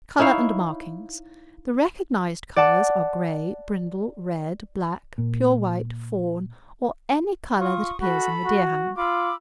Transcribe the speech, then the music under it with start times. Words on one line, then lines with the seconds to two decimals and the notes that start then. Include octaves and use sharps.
COLOUR AND MARKINGS--The recognised colours are grey, brindle, red, black, pure white, fawn, or any colour that appears in the Deerhound.
0.19 D#4 E4 C#5 F5
2.56 D5 F#5 A5
5.18 A#2
7.58 F4 C#6 D#6
8.00 F#4 A4 B5
8.45 F#4
8.97 F4 B5 D6 E6